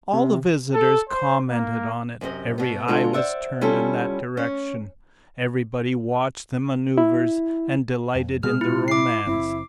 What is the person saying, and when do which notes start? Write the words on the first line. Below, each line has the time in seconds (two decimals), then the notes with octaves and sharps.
All the visitors commented on it, every eye was turned in that direction, everybody watched the manoeuvres and delighted in the romance.
0.13 C3
0.74 A4
1.09 C5
1.49 A#3
2.21 F#2 C3 C4 D#5
2.58 B2 B3
2.88 D3 G#3 F4 F#4 A4
3.13 C5 D5 E5 F#5
3.61 G3 C#4 E4 F4 G#4 A4
4.37 C#4
6.98 E4
8.15 F2
8.43 A#2 G#3 C4 G#4 F6
8.61 E4 F4
8.88 E4 D6 C7
9.26 F#1 C4 E4